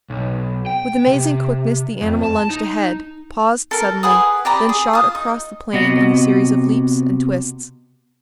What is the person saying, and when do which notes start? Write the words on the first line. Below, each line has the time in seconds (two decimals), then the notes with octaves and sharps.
With amazing quickness the animal lunged ahead, paused suddenly, then shot across the plain in a series of leaps and twists.
0.10 B1
0.66 G5
1.07 C3
2.01 F2
2.23 A5
2.50 D#4
3.71 A4 A#4 A#5
4.03 G#4 B4 F#5 D#6
4.45 G4 D5 A#5 B5
4.69 G#4
4.93 F4 D#6
5.15 D#4
5.73 C3 B3 F#4 D#5